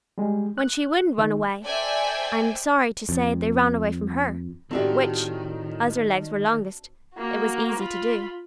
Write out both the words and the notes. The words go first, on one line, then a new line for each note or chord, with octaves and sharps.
When she wouldn't run away, I am sorry to say they ran away from her, which, as their legs were longest, it was easy to do.
G3 G#3
F#6
D#3 A3 D#4
A4 C5 D5 E5 G5 G#5
F2
A2 D#3 A3 C4 D4 F#4 G4 D5
A#3 F#4
F4 B5